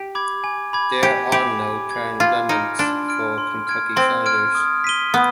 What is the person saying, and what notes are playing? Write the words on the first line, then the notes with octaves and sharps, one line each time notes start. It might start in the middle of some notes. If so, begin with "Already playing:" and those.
There are no term limits for Kentucky Senators.
Already playing: G4
B5 D6 G#6
G#5
B5 D6 G#6
G4 G#5
G4 B5 D6 G#6
G#5
B5 D6 G#6
F4 C6
D#4 F6 G#6 D7
D4 C6
F6 G#6 D7
C6
F6 G#6 D7
C4 C6
F6 G#6 D7
D#6
B6 D#7 G7
B3 D#6